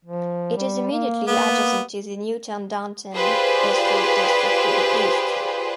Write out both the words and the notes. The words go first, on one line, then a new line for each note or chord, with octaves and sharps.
It is immediately adjacent to the Newton Downtown Historic District to the east.
F3
G3
A#3
A#3 B3
F4 G4 G#4 B4 C5 D5